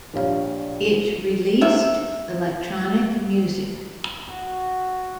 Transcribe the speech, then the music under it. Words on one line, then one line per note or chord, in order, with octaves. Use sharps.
It released electronic music.
A#1 G4 C#5 F5
C3 E5
F#4